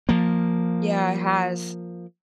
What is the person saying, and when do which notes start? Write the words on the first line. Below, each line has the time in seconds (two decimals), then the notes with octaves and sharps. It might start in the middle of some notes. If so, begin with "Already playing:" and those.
Yeah, it has.
0.09 F3 A#3